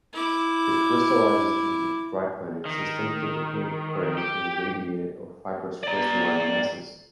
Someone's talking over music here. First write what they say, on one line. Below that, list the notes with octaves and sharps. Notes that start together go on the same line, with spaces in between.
It crystallizes in the triclinic system typically occurring in radiated or fibrous crystalline masses.
E4 D6
D#3
G4
D5 A#5